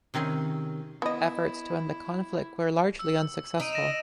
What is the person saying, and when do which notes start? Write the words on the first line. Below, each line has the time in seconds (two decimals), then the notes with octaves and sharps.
Efforts to end the conflict were largely unsuccessful.
0.14 C3 D#3 C4 C#4 G#4
1.02 B3 E4 D#5
2.99 E6
3.60 D#4 D#6 D7 D#7
3.73 A#6 D7 E7